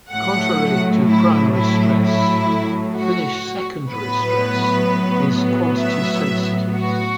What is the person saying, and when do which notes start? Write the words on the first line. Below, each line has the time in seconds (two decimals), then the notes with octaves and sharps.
Contrary to primary stress, Finnish secondary stress is quantity sensitive.
0.11 A2 F#3 A3 F#5
1.06 E4
1.54 E4
2.01 E4
2.95 F#4
3.90 A2 F#3 B3 B4
5.79 E5
6.74 F#4